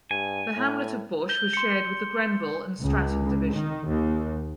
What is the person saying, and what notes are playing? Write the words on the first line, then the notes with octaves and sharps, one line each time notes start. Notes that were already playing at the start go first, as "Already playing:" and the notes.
The hamlet of Bush was shared with the Grenville and Stratton division.
G2 G#5
A2
G6 G7
C6 C#7
C#2
D#3
D#2